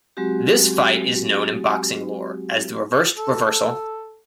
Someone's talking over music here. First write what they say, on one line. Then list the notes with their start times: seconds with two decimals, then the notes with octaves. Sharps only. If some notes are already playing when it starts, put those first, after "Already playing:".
This fight is known in boxing lore as The reversed reversal.
0.17 F#3 G#3 C4 F#4 G4
3.17 A4